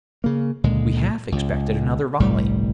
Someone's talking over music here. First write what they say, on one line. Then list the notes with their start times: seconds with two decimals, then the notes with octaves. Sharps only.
We half expected another volley.
0.24 C#3 A#3
0.64 C#2 A#2 D3 G#3
1.32 C#2
2.20 G1 C2 A2 G3